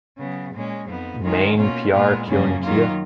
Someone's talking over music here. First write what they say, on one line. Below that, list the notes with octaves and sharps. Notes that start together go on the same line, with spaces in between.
Maine Pyaar Kyun Kiya?
C#3 F#3 B3
A#2 G#3 C#4
F2 F3 B3 D#4
D#3 G#3 C#4 F4
B2 A#3 C#4 F4
A#2 G#3 B3 F4
F#2 C#3 F3 A#3 C#4
D#3 F#3 A#3 F4